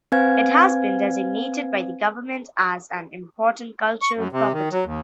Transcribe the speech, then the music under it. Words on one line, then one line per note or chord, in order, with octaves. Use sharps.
It has been designated by the government as an Important Cultural Property.
C4 B4 C5 F5 G#5 G#6
C#6
F#2
C3
D#3
F#3
D#2